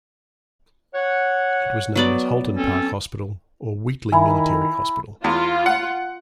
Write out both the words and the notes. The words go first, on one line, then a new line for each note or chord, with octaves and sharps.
It was known as Holton Park Hospital or Wheatley Military Hospital.
C#5 F#5
F#3 B3 D5
C4 C#4 A4
D#3 E4 G#5 A#5 B5
E2 F4
F#5